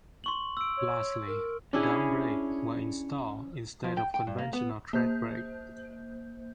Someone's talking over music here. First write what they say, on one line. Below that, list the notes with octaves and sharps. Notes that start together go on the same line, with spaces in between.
Lastly, drum brakes were installed instead of conventional tread brakes.
C6 C#6 F#7
E6 D7
C#5
A#4
C#4 D4 E4 G#4
F3
G5
G5
G2
A#3
B3
A#3 C5 G6